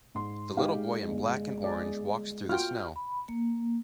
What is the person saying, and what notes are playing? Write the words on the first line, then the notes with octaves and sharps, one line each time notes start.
The little boy in black and orange walks through the snow.
G#2 C6
G#3 D#4 G4 F5
G1
G#4 D5
F4 F#4 G5 F6 G6
B5
A#3